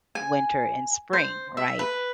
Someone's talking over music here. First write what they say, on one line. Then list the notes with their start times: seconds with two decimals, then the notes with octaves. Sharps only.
winter and spring, right?
0.15 G#5
1.13 C5
1.57 E5
1.79 B4